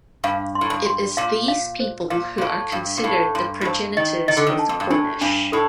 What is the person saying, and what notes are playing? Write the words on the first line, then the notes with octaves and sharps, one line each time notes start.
It is these people who are considered the progenitors of the Cornish.
G2 F5
C6
A2
G2
C6
A#2 F5
F5
C5
A#2 F5
A#2
A2 F5
G2 F5
A#2
A2 F5
G2 C6
A2
G2 C5
D#3 D#5
D#3 D#5
D3
D#3
A5
F2
G2
A2 D4
G2 D4
A2 A4